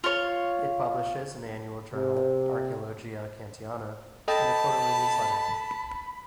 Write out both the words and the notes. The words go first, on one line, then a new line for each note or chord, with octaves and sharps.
It publishes an annual journal, "Archaeologia Cantiana", and a quarterly newsletter.
F4 C#5
C3
A4 D#5 G5 A5 B5